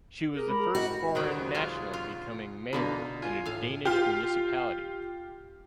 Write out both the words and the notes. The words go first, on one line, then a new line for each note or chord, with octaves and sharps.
She was the first foreign national becoming mayor in a Danish municipality.
G4 G#4 A#4
G#3 B5
F#4 A4 D#5 E5 G5
D2 C3 D#3 F#3 F#5 G5
G#3 F4 G#5
F4
B2 D3 A#3 D#4
F4 G#5
A2 F5
F4 G4